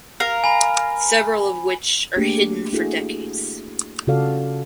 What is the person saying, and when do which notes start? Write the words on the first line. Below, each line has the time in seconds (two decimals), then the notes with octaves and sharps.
Several of which are hidden for decades.
0.20 A#4 F5
0.44 G#5 B5
2.16 A3 A#3 D4 G4 G#4
2.73 D4 E4 F#4 G#4 A4
4.07 C#3 F4 F#4 A4 D5 F5